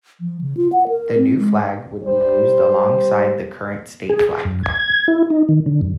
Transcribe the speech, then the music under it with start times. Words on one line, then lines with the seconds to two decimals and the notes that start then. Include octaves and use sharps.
The new flag would be used alongside the current state flag.
0.21 F3
0.41 C#3
0.57 F4
0.73 F#5
0.88 A#4
1.17 C4
1.38 G#3
2.04 G3 C5
4.10 G#4
4.45 F#2
4.63 G#6
5.08 E4
5.30 D#4
5.49 D#3
5.66 D3
5.81 F#2